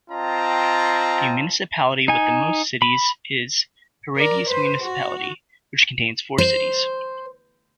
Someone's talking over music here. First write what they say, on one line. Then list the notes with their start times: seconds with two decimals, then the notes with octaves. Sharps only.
The municipality with the most cities is Paredes Municipality, which contains four cities.
0.10 C4 F4 D#5 G5 A5 A#5
2.08 D#4 G#5
2.82 B5
4.16 A#4 D5
4.49 B4 C5
4.82 F#4
6.38 C5